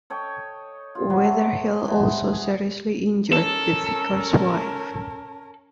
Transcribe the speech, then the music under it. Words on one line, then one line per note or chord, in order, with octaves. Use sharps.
Weatherhill also seriously injured the vicar's wife.
A4 C#5 D#5 G5
F4
F#3 B3 C4
A3
E3 B3 C5
G#4
C#4 A4 A#4